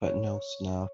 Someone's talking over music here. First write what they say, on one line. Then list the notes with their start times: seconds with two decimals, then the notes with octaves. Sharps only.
But no snuff.
0.04 C#5